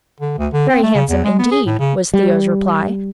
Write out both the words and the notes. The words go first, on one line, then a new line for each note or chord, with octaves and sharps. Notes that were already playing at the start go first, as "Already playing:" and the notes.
"Very handsome, indeed," was Theo's reply.
D3
D2
D3
C4
A3
C#3
E2
G#3
B3
G#4
A2
C#3
G3